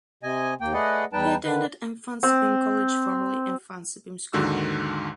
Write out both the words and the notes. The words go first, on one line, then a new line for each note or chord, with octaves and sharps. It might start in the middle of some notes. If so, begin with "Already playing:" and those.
He attended Mfantsipim College formerly Mfantsipim School.
C3 D#5 G#5
D#2 A#3 G5
A3 G#4 B4 D5 D#5 F#5
E2 G3 D#4 B4 G5 A5
D3 D#3 B4
C4
D#2 G#2 D3 D#3 F#4 E6